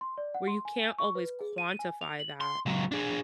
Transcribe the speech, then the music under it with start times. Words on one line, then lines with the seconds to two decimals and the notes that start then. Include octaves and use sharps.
where you can't always quantify that
0.01 C6
0.18 D5
0.34 F#5
0.47 C6
0.65 G#5
0.98 C#6
1.15 B4
1.41 G#4
1.58 D#7
1.79 G#5
2.01 F7
2.19 F#7
2.41 C6
2.66 C#2 F#3
2.92 D4 G#4